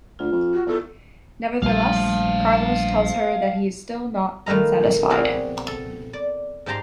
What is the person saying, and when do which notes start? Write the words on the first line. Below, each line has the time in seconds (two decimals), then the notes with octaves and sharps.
Nevertheless, Carlos tells her that he still is not unsatisfied.
0.19 D2 F4
0.32 F2
0.53 F#4
0.67 E2 A4
1.62 A#1 G3 A3 F5 A5
4.46 D#3 A3 B4 F5 A#5
5.10 B3 C4 F#4 G#4 D5 F5
5.68 A4
6.13 D5
6.66 G#2 G4 G5 A5 A#5 C6